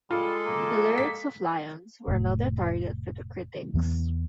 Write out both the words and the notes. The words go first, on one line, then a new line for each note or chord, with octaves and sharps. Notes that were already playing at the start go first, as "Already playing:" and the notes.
The lyrics of "Lions" were another target for the critics.
G3 G#3 F4 A4
A#3
B6
F1 A2
E2 E3 B3